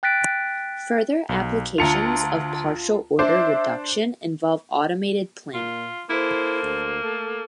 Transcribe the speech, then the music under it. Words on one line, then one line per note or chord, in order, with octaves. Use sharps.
Further applications of partial order reduction involve automated planning.
G5 F#6 A6 B6 D7
B1
D2 F4 A5 A#5 C#7 F7
D4 C5 E5 D6
A#2 F4
A#3 E4 A4 C5
D2
A3 A4